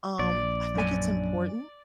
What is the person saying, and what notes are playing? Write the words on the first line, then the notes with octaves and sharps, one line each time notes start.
um, I think it's important
A#1 D5
F#2 D4 G#5